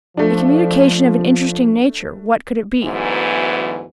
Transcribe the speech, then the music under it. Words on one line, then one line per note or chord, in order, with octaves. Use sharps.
A communication of an interesting nature, what could it be?
F3 A3 D4
D2 G#2 E3 F#3 B3